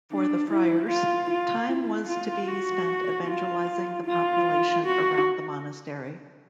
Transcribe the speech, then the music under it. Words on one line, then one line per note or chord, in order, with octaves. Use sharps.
For the friars, time was to be spent evangelizing the population around the monastery.
D4
E4
F4
F4
E4
F4
F#4
F4
F4
F#4